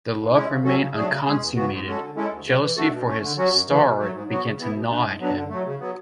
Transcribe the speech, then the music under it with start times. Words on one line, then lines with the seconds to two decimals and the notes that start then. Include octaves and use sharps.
Their love remained unconsummated; jealousy for his 'star' began to gnaw at him.
0.19 G#2
0.34 G#3 C#4 E4
0.49 C#3
0.64 F#3 C#4 F#4 A4
0.79 C#3
0.94 F#3 A3 D4 G#4
1.09 C#3
1.25 G#3 C#4 G#4
1.40 E2
1.55 C#3 E3 B3 F#4
1.70 G#2
1.86 G#3 C#4 F#4 A4
2.01 D3
2.16 G#3 C#4 E4 A4
2.30 D2
2.46 C#3 F#3
2.61 E3
2.76 A3 D4 F#4 A4
2.92 B2
3.07 A3 C#4
3.22 D3
3.37 F#3 C#4 F#4
3.52 F#2
3.68 C#3 E3 A3
3.83 B2
3.98 F#3 A3
4.13 G#2
4.28 F#3 B3 F#4
4.44 C#3
4.59 E3 B3 E4
4.74 B2
4.89 A3 D4
5.03 G#2
5.20 F#3 B3 D4
5.34 D3
5.50 F#3 A3
5.65 C#3
5.80 F#3 B3